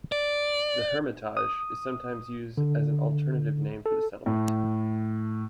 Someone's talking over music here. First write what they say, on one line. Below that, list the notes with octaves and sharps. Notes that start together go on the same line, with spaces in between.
The Hermitage is sometimes used as an alternative name for the settlement.
D5
D#6
D3
A4
A2